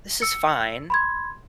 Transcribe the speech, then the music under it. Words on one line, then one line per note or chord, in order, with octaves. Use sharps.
this is fine.
E6 C#7
B5 C6 G#6